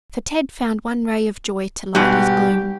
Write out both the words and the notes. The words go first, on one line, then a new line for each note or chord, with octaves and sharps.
So Ted found one ray of joy to light his gloom.
G#2 B2 G3 G4